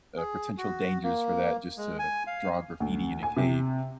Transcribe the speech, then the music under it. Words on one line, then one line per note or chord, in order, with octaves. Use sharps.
uh, potential dangers for that, just to draw graffiti in a cave.
G#4
F#4
A#3
G#3
G#5
F5
D2
G#5
C3